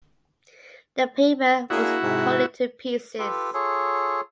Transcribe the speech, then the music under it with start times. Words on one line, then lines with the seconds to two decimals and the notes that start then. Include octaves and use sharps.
The paper was torn into pieces.
1.70 A#3 D4 E4 F#4 G#4
2.01 G#2 C3
3.19 F4 G4 A4 B4
3.54 F4 G#4 A4 C#5